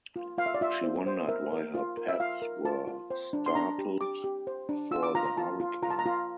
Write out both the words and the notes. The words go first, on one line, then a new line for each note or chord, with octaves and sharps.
She wondered why her pets were startled before the hurricane.
F4
F4 F5
E5
D5
F4 E5
C5
C5
A#4 E5
A#4
F4
A#4
E5
F4 F5
A#4
F4 A5
F4
C5
D4
C6
D4 A#5
G4
G4 D6
G4
C5
D4
F4 E6
D6
F4 A#5
A#5
F4 A5
F4
F4 A#5
A5
A#5
F4